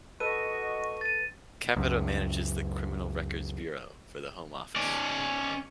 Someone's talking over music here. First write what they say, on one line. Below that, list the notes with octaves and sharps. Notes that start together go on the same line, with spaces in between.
Capita manages the Criminal Records Bureau for the Home Office.
F#4 A4 B4 D#5 C#6 D#7
A6 D#7
C#2 F#2
C#4 D5